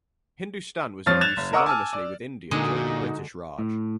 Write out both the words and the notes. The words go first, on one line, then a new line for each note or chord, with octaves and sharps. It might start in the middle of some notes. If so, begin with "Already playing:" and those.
"Hindustan" was in use synonymously with "India" during the British Raj.
F2 F3 C#5 F6 A6
F#6 G#6 A6 E7 F7
F#1
A#4 D#5 F#5 C#6 D6 E6
G#5 A5 E6 F6
D5
A#2 D3 G#3 D#4 F#4
A2